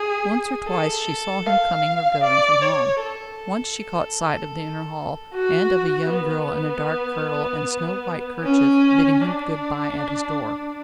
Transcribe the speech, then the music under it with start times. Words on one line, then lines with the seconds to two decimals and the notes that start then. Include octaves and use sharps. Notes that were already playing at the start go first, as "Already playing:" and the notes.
Once or twice she saw him coming or going from home. Once she caught sight of the inner hall, and of a young girl in a dark kirtle and snow-white kerchief bidding him good-bye at his door.
Already playing: G#4
0.68 A4
1.46 F5
2.23 D5
2.62 C#5
3.01 A4
5.34 F#4
6.12 B3
8.44 C#4
9.21 D4